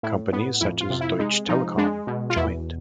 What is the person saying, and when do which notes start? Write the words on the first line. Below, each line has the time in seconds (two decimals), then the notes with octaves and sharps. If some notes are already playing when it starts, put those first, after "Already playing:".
Companies such as Deutsche Telekom joined.
0.03 A2 E4
0.32 A2 B3
0.61 F2 E4
0.81 F4
0.90 C3
1.01 E4
1.19 G#3 D#4
1.49 F3 D#4
1.77 G#3 D4
2.07 B2
2.30 F4
2.36 E2 E4